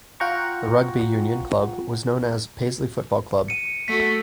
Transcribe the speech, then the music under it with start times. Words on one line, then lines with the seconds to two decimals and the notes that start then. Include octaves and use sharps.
The rugby union club was known as Paisley Football Club.
0.20 F4 F#5 G5 A#5 C#6
3.48 C#7 D#7
3.88 A3 F#4 B6